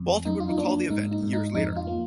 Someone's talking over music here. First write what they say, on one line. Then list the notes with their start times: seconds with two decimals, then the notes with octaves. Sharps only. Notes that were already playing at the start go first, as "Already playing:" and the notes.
Walter would recall the event years later.
Already playing: F2
0.25 F#2 D#4
0.40 F4
0.49 D#4
0.58 A#3 D4
0.90 G#2 D#4
1.11 D#4
1.23 G#2
1.33 D#4
1.54 F2 D#4
1.76 F4
1.87 A#3